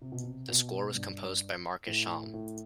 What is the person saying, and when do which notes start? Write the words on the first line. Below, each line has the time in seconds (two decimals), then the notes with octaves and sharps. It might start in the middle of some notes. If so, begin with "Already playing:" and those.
The score was composed by Mark Isham.
0.02 C3
0.12 B2
0.23 C3
0.48 B2
0.95 G2
1.87 A2
2.34 A2